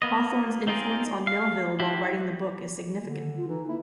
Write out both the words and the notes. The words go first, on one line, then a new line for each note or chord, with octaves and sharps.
Hawthorne's influence on Melville while writing the book is significant.
A#3 B3 D#5
C4 D#4 F4 G#4 A#4
F5
E4 F#4 G4
D3 A#3
D#3
F4
E3 D#4
A#3 E4